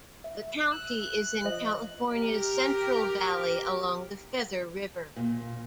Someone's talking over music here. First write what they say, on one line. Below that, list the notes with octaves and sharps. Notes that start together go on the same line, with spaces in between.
The county is in California's Central Valley along the Feather River.
E5
E6 F#6
F3 D#5
G4 A#4
A#2